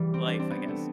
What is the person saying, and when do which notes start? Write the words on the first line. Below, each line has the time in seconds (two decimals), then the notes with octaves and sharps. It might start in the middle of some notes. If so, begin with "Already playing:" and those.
life, I guess
Already playing: E3 G3
0.14 C4
0.27 D4
0.39 C4
0.51 B3
0.68 A3